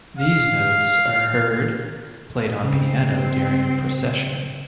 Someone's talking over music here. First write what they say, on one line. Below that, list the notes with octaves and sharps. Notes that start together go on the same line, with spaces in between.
These notes are heard played on piano during Procession.
F5
C#3 C4